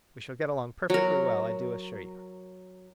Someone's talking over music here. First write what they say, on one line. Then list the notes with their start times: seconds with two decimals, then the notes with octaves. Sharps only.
We shall get along perfectly well, I do assure you.
0.90 F#3 A#4